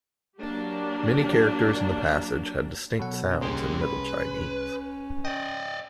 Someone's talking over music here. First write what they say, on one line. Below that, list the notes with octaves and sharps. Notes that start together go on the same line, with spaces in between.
Many characters in the passage had distinct sounds in Middle Chinese.
F#3 A#3 D4 G4
B2 F#3 A4 F#5
C#4
C2 A#3 G4 G#4 C6
B4
D5 D#5 G5